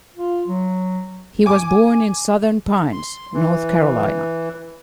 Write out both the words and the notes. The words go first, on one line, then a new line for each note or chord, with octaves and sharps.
He was born in Southern Pines, North Carolina.
F4
F#3
G#5 D6
C6
E3